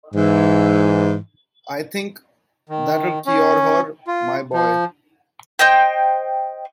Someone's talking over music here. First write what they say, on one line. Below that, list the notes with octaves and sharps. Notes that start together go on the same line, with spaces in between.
I think that will cure her, my boy.
G#2 E3
D#3
C#4
F4
F3
C5 D#5 G5